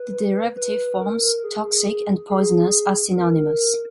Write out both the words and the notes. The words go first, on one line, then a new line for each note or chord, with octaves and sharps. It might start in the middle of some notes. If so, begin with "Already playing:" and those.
The derivative forms "toxic" and "poisonous" are synonymous.
Already playing: B4
B4
A#4
G#4
G#4
A#4